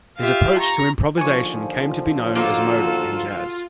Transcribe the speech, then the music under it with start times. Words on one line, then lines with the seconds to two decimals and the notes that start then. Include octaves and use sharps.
His approach to improvisation came to be known as modal in jazz.
0.18 F4 G4 E5 F5
0.59 A#5 C#6
1.17 D#2 D3 F3 G#5 C#6
2.35 A#3 D#4 F4 F#4 A4